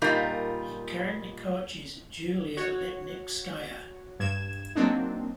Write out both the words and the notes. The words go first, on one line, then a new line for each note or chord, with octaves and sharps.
He currently coaches Julia Lipnitskaya.
A#2 G3 D#4 F4 A#4
F#4 C#5
G2 G#6 E7
F#3 A#3 C4 D4 D#4